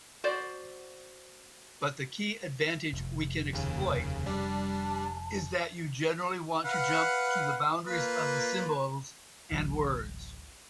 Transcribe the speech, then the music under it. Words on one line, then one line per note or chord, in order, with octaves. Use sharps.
But the key advantage we can exploit is that you generally want to jump to the boundaries of symbols and words.
F#4 C5 D5
F1
D#2 C#3
G3 D4 A5
B4 F5 F#5
A#3 F4 B4
D1 A1 F#3